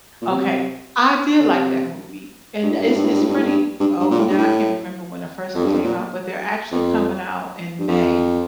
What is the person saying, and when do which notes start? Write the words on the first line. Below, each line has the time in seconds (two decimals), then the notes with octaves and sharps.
Okay, I did like that movie and it's it's pretty old now I can't remember when the first one came out, but they're actually coming out, in May,
0.21 A#2
0.30 C3
1.40 D3
1.47 C3
2.63 G2
2.72 A2
2.80 G2
2.88 A2
2.96 G2
3.05 A2
3.13 G2
3.22 A2
3.29 G2
3.38 A2
3.46 G2
3.80 G2
3.99 G2
4.11 A#2
4.19 A2
4.30 G2
4.38 A2
5.55 F2
5.64 G2
5.73 F2
5.84 A#2
6.72 F2
7.79 G2
7.88 F2